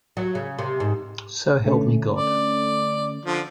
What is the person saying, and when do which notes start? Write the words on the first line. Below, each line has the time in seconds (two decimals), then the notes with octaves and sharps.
So help me God.
0.17 F#3
0.35 C#3
0.59 C3
0.80 G#2
1.65 D3 A3 C#4
2.16 D5
3.26 D3 F3